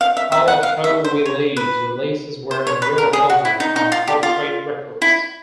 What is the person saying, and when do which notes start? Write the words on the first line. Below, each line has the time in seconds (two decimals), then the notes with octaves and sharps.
All of How We Live's releases were in Europe only, on Portrait Records.
0.01 F5
0.17 E5
0.32 E5
0.48 F#5
0.63 F5
0.84 E5
1.04 C5
1.26 C#5
1.57 B4
2.51 C5
2.67 C#5
2.82 B4
2.98 A#4
3.13 G#4
3.30 F#4
3.45 E4
3.60 D#4
3.76 D#4
3.92 F4
4.08 G4
4.23 F4
5.02 E4